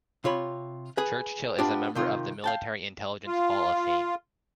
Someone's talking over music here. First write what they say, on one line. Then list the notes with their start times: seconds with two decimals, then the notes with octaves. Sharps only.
Churchill is a member of the Military Intelligence Hall of Fame.
0.24 C3 F4 C#5 B5
0.97 G#4 B4
1.59 B3 D4 F4 G4
1.95 C3 D#3 F4
2.44 F5 G5 A5
3.27 F4